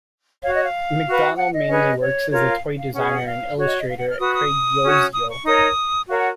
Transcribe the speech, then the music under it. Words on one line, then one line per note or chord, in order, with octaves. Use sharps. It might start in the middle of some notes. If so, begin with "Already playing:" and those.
McDonnell mainly works as a toy designer and illustrator at Craig Yoe's Yoe!
F#4 C#5 F5
D#5
F5
F#4 B4
F#5
D#5
C#4 G#4 B4
C#5
F4 A#4 C#5
F5
F5
C#4 G#4 B4 F#5
F#5
F5
F#5
F5
F#4 C#5
D#5
D#5
F5
F#5
F6
F#4 B4 D#6
D#6
C#4 F#4 C#5
D#6
C#6
D#4 A#4 C#5 D#6
F#4 A#4 C#5 F5
F#5